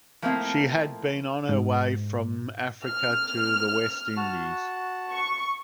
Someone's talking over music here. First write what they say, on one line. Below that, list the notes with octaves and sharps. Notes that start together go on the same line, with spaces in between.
She had been on her way from Africa to the West Indies.
F3 A3 A#3 C4 E4 F5
G#2
F6
F#4 A5
C#6